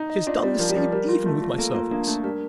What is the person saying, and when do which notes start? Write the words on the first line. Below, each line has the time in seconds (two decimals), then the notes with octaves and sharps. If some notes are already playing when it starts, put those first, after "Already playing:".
She has done the same even with my servants.
Already playing: D#4
0.10 D#5
0.27 D4 F4
0.43 G3 D5
0.59 F3 A#4
0.70 G3
0.75 F3 D5
0.92 G3 A#4
1.09 F4
1.25 A3 F4
1.42 F4
1.58 A#3 A4
1.74 A#3 F4
1.91 A#3 D4
2.07 A3 D4
2.24 G3 A#4